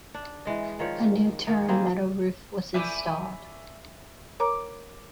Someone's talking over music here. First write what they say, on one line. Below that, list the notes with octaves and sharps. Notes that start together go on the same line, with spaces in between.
A new terne metal roof was installed.
D4
E3 G#3 D#5
D#3 F3 C#5 D5
D#3 A#3 D#4
G3 A#3 C4 G#4
A3 D5 E5 G#5 B5 G6
A#4 C#5 A#5 D6